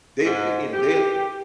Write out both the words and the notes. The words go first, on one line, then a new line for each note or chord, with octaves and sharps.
they th you know, they
G#2
G4